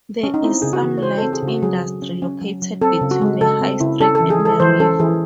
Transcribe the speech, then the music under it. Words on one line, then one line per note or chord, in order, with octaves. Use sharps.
There is some light industry located between the high street and the river.
C#4
D#4
C4 E4
C#3 G#4
F#4
E3
C#5
C#3 C5
C4 A4
G#4
C#3
F#4
F#3 G#4
F#3
C#4
C#4
F#3
F#3
C4 A4
C#3
F#4
G#3
C#3 A4
C4
C#3 E4
C#4 A4
A4
E3
G#4
G#3
A4
E3 C5
C#4 A4
E3 G#4